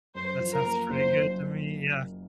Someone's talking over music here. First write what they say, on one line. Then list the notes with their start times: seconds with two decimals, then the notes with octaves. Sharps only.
that sounds pretty good to me, yeah.
0.15 F#2 C5
0.40 F3
0.53 A#4
0.65 A#3
0.90 F#1 C5
1.16 F#2